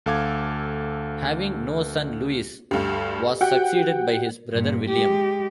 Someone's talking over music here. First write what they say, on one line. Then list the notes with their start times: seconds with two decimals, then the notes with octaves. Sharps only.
Having no son Louis was succeeded by his brother William.
0.06 D2 A4 F5 D6 G#6
2.71 D2 G2 G4
3.41 F#4 G4 F#5 G5
4.52 G2 A#2
4.89 G#3 G4